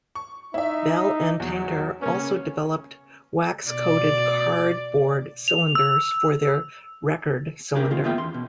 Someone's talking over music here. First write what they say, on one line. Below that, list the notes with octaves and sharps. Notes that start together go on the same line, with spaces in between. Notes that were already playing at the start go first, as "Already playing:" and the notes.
Bell and Tainter also developed wax-coated cardboard cylinders for their record cylinder.
C#6
D#4 E4 E5
E2 F#3
C#3 A#3 B3 C#4
B2 D5
F7
E6
C#4 D4 G4 G#4 A#4
D3 D#3 F4
A#3 B3 F4 E5 G5
E2 C6
B2